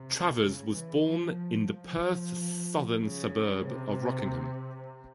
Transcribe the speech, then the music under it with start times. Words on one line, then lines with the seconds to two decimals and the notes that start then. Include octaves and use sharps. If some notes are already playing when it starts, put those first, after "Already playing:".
Travers was born in the Perth southern suburb of Rockingham.
Already playing: C3
0.38 C#3
0.71 E3
1.03 F3
1.69 F3
3.01 C#3
3.65 C3